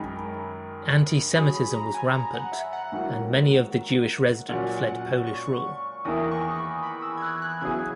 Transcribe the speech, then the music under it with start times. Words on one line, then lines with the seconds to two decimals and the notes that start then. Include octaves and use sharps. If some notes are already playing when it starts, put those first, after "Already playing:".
Anti-Semitism was rampant, and many of the Jewish resident fled Polish rule.
Already playing: F#2 D#3 G#3 D#4 A#4 B5
1.35 F#3 C#4 G#4 B5
1.55 B5
1.75 A#5
1.94 G#5
2.14 A#5
2.34 F#5
2.52 E5
2.73 F#5
2.92 G#2 D#3 F#3 A#3 E4
4.49 A#2 F#3 C#4 F#5
4.88 F#5
5.27 C#6
6.05 E2 D#3 A#3 E4 D#6
6.31 C#6
6.57 B5
6.83 B5
7.02 E6
7.17 G#6
7.22 F#6
7.42 F#6
7.61 C#3 F#3 B3 E4 G#4 G#6